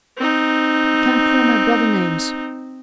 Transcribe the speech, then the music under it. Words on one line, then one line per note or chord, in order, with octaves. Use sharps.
"You can't call my brother names."
C4 D#4